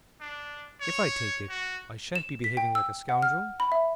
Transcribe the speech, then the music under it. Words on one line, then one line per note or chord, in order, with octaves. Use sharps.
If I take it, I shan't be behaving like a scoundrel?
D4
C#5
F#4
E7
B6
G5
E6
F#5
F6
B5
E5